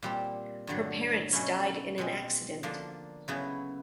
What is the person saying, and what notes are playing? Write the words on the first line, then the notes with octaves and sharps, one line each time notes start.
Her parents died in an accident.
A#2 G3 C4
G2 D3 F#3
B2 F#3 A3 C#4 E4
B2 G#3 C4
D3 F3 A#3 D4
C#3 F#3 B3 E4